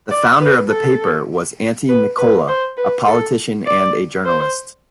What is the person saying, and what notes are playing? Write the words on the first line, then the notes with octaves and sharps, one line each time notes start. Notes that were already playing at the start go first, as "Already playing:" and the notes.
The founder of the paper was Antti Mikkola, a politician and a journalist.
D5
B4
A4
B4
B4
C5
B4
A4
D5
C5